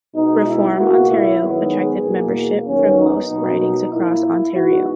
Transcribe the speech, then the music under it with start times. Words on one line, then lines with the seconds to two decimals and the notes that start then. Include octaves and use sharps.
Reform Ontario attracted membership from most ridings across Ontario.
0.14 B2 G#3 B3 D#4
0.46 E4
0.77 C#2 B2 A#3 F#4
1.08 E4
1.40 G#2 D#3 F#3 B3
1.72 G#4
2.03 E2 B2 A#3
2.65 D#2 D#3 F#3 B3 C#4
2.98 D#4
3.29 B2 F#3 A#3
3.92 A#2 A#3 E4
4.54 G#2 E3 B3 F#4